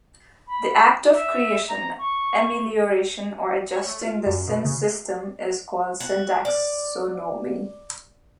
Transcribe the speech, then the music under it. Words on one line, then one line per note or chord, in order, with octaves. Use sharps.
The act of creation, amelioration or adjusting the synsystem is called "syntaxonomy".
B5
E5
A#5
C#6
C#5
A3
F4
F#2
B2
C#3
F#4
D5